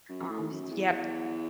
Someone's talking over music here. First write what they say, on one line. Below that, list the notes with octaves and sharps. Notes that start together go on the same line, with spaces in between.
Um, yep,
F#2
A2
F#2
E2